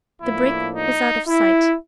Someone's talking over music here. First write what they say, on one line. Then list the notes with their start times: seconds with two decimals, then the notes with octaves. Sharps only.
The brig was out of sight.
0.22 A2 F3 A#3 D4 E4
0.75 D#4
1.28 E4